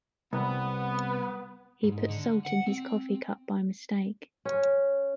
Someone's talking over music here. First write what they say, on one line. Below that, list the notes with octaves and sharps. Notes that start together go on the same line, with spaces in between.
He put salt in his coffee cup by mistake.
C2 B3
G#2
D3
F#5
C4
C#4